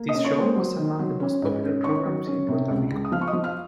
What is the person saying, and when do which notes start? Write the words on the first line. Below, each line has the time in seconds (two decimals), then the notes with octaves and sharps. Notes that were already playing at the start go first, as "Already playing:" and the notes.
This show was among the most popular programs in Puerto Rico.
Already playing: A#3
0.09 D#5 D#6
0.14 C#4
0.25 C#5 C#6
0.35 A#3
0.40 C5 C6
0.56 F#3
0.78 D#3
0.99 F#3
1.20 C#4
1.42 G#2
1.63 C#4
1.84 D#3 C#5 C#6
2.05 F#3
2.27 C#4
2.49 C3
2.70 C#2
2.91 C#2
3.05 D#6
3.12 F3 F5 F6
3.21 C#6
3.28 D#5 D#6
3.33 F3
3.44 F5 F6